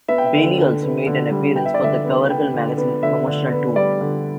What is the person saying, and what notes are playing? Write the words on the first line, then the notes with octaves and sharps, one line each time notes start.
Bailey also made an appearance for the Covergirl Magazine promotional tour.
B3 E5
G5
E5
D3
D3
B3
D3
G3
B3 G5
E5
D5
D3 E5
B3
B3 G5
D3
B3
D3 E5
D3
B3
G3 D5
D3